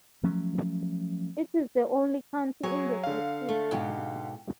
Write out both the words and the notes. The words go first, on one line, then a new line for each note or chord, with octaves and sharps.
It is the only county in the district.
F3 F#3 A3 C#4
F#3 G#4 C#5
D3 F5
A3
G#2 B2 G4